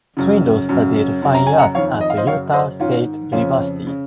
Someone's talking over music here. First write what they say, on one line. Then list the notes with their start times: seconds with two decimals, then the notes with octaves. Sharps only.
Swindle studied fine arts at Utah State University.
0.17 F#2 C#3
0.69 F#2 C#3
1.22 F#2 C#3
1.34 A#5
1.47 G#5
1.59 F#5 A#5
1.75 F2 D#3 C#5 F5
2.01 D#5
2.10 F5
2.17 C5 D#5
2.27 F#2 C#3 C#5 F5
2.53 C5 D#5
2.80 G#2 D#3 C#4 F4
3.32 F2 C#3 C#4 F4
3.87 C#3